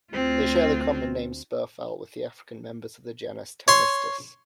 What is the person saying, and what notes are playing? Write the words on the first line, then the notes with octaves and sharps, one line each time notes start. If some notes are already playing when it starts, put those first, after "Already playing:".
They share the common name "spurfowl" with the African members of the genus "Pternistis".
D2 C4 F4
C#5 C6